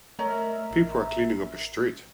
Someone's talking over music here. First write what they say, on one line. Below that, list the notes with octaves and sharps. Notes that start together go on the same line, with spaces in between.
People are cleaning up a street.
A3 A#4 C#5 D#5 E5 A#5
A1